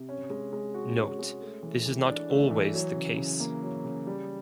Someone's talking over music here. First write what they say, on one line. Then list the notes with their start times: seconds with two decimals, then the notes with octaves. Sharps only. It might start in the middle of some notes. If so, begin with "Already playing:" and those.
Note this is not always the case.
Already playing: C3
0.09 C#4
0.30 G#3
0.53 G#3
0.74 F#4
0.97 C#4
1.19 G#3
1.41 A3
1.63 E3
1.86 E3
2.08 D4
2.30 A3
2.51 E3
2.74 F#3
2.95 C#3
3.18 C#3
3.40 A#3
3.63 F#3
3.84 C#3
4.07 G3